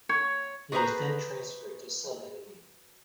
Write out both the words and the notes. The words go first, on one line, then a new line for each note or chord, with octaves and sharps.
He was then transferred to subediting.
C#5
F#4 G#4 B4 C5 A#5